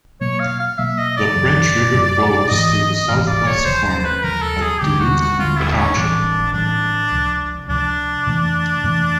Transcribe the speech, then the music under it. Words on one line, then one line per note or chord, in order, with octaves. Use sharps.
The French River flows through the southwest corner of Duluth Township.
B2 F#3 A#3 C#5
F5
F5
B2 F#3 A#3 E5
D#5
D5
F#2 C#3 F#3
F#2 C#3 F#3
G#2 E3 G#3 D#5
G#2 E3 G#3 F5
D5
C#5
D#2 C#3 F3 C5
C5
C5
B4
D#2 C#3 F3 A#4
A4
G#4
D#2 D3 G3 C4 G4
F#4
F#4
D#2 D3 G3 C4 F4
E4
C#4
A2 E3 G3 C4 D4
A2 E3 G3 C4 D4
C#2 C3 F3
C#2 C3 F3 D4
F2 C3 E3 A3
F2 C3 E3 A3